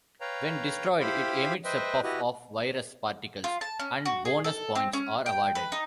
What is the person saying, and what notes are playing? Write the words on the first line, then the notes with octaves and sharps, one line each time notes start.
When destroyed it emits a puff of virus particles, and bonus points are awarded.
B4 C#5 F5 G5 A#5
E4 G4 C5 F5 G5 B5
B4 C5 D#5 E5 G5
E4 F#4 G4 B4 D#5
F4
A5
C#4
F#4
G#4
A4
C4
C#4
G5
B4
D#4